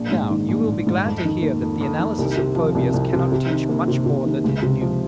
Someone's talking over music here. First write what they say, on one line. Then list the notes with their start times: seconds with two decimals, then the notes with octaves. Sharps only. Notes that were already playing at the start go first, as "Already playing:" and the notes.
Now you will be glad to hear that the analysis of phobias cannot teach much more that is new.
Already playing: A#1
0.12 G#2
0.30 D#3
0.49 A#1
0.68 A#1
0.87 G#2
1.05 F2
1.25 D#3
1.43 A#3
1.61 F2
1.81 F2
1.99 D#3
2.18 C2
2.37 C3
2.56 F3
2.75 C2
2.94 C2
3.13 C3
3.32 C3
3.50 D#3
3.69 A#3
3.88 C3
4.06 C3
4.26 D#3
4.44 C#2
4.62 C3
4.81 F3